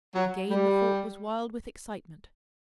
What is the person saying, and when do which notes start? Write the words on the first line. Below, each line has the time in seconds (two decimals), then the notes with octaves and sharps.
Again the fort was wild with excitement.
0.15 F#3
0.51 G3